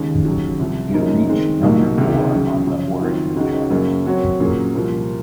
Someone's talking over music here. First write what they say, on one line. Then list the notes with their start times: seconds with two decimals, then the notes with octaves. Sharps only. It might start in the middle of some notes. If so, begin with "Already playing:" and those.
It reached number four on the Oricon Charts.
Already playing: D#2 C#3 G#3
0.25 D#2 C#3 F#3
0.59 C2 C3 F3
0.94 F#2 C#3 F3 A#3 D#4
1.29 D#3 G#3 C4
1.63 C2 A#2 F#3 A#3 D#4
1.98 C#2 C3 D#3 G#3
2.32 C#3 F#3 C#4 G#4
2.67 F#2 C#3 F3
3.02 D#3 F#3 C4 F4
3.36 C#2 C#3 G#3 D#4 F#4
3.70 F#2 C#3 F#3 A#3
4.05 F#3 C4 F#4 C#5
4.40 A#2 F#3 A#3 C#4 G#4
4.75 C2 A#2 F3 A#3 F4